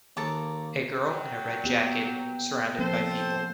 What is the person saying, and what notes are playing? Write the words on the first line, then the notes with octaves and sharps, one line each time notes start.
A girl in a red jacket, surrounded by people.
D#2 A#3 A4 A#5 D6
F#3 G5
A#3 B3 G4
F3 A#3 C4 A4 C5